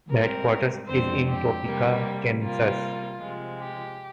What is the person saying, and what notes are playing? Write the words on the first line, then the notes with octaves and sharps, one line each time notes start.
The headquarters is in Topeka, Kansas.
G#2 G3 C4 A#4
F2 D3 G#3 C4 C5
G4
C3 G3 A#3
C3 G3 A#3 F4
C3 F3 G#3
G4